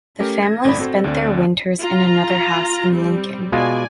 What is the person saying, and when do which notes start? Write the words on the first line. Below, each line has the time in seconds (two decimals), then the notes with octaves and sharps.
The family spent their winters in another house in Lincoln.
0.20 A3 C#4 G4 A#4
0.43 G#6 A#6
0.64 G1 A2 D5 B5
0.79 C4 F#4 A4 C5
1.04 D2 D3 C4 D5
1.79 F4 A#5
2.93 G3 C4
3.52 B2 G#3 F4 D5 G#5